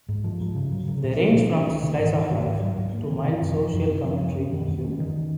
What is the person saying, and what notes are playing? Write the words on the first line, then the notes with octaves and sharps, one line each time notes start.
They range from slices of life to mild social commentary and humour.
G#2
F3
G#2
C#3
F#3
C#3
A#2
F3
A#2
C#4
D#3
C3
G#2
D#3
G#2
G#2
F#3
G#2
A#3
D#3
C3
F#2
F3
F#2
C4
F3
F#2
C#4
D#3
F2
C#4
D#3